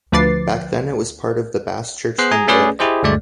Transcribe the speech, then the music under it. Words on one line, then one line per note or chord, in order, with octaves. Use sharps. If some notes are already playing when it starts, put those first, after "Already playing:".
Back then it was part of the Baschurch Hundred.
D2 F3 B4 D6 A6 C7
B3 G#4 C5 F#6 C7
G#4 G#5 A#5
A3 C#4 G#4 B4 D5
E4 G4 G#4 C5 D#5
D2 G2 G#3 A3 D5